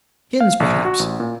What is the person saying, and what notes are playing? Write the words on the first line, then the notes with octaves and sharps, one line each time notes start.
Skins perhaps.
F5
A#1
F#4
A1
A#2